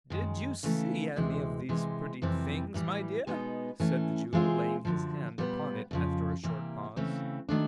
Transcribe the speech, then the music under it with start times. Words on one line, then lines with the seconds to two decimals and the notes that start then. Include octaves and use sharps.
'Did you see any of these pretty things, my dear?' said the Jew, laying his hand upon it after a short pause.
0.10 F#2 D#3 G#3
0.63 C#3 E3 A3
1.16 D2 C3 E3 G#3
1.69 C3 E3 G#3
2.22 F2 C3 E3 G3 C4
2.74 A2 E3 G3
3.27 B2 G#3 B3 D#4
3.80 E3 A3 C#4
4.33 E3 G#3 C4 F4 G#4
4.85 F#2 D3 F3
5.38 A#2 G3 B3
5.91 F2 C#3 F3
6.43 C3 E3 G3 A#3
6.96 C#3 E3 A3 C4
7.49 D#3 F#3 A3 D4